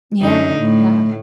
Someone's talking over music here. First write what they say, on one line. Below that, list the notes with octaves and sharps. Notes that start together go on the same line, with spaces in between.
Yeah. Yeah.
F#2 D3 D#4
A2